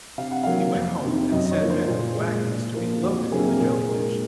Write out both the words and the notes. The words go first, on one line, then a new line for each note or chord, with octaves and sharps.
He went home, and sent men with wagons to be loaded with the Jelly-fish.
C3 F5
F#5
F#3 A#3 F5
F2
C3 D#3
F#2 D#5
D#5
C#5
F3 A#3
C5
A#2
G#3
A#2
F3 A#3
F2 F#4
C3 F#3 A#3 G#4
A#4
A#2 G#4
G#3 A#4